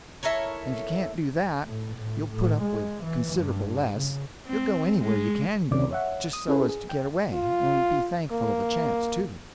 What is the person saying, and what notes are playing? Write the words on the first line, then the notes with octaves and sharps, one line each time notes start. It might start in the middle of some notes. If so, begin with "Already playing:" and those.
And if you can't do that, you'll put up with considerable less; you'll go anywhere you CAN go, just so as to get away, and be thankful of the chance, too.
E4 A4 A#4 C#5
A2
A2
A2
G#3
E3
G2
C#3
C4
G#3
C3 D#3 C#4 D5 D6
C#5 E5 F#5
D#6
C#4 E4 G#4 A4 B4 C5
G#4
G5
F4
A#3